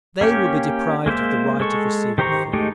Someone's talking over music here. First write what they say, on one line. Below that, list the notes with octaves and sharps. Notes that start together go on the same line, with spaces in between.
They will be deprived of the right of receiving food.
A#3 C#4 G4
G#3 A#3 C5 E5
G#3 A4 C#6
D#3 G4 C5 A#5 C#6
G#3 A3 D#4 G4